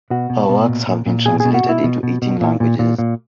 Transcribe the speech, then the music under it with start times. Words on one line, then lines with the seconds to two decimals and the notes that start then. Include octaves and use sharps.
Her works have been translated into eighteen languages.
0.10 B2 F#4
0.30 B2
0.49 B2
0.69 A#2
0.87 A#2
1.06 A#2
1.25 B2 G#4
1.40 G#4
1.45 B2
1.54 F#4
1.64 B2 E4
1.84 B2
2.03 B2
2.22 B2
2.41 A#2
2.60 A#2
2.79 A#2
2.98 A#2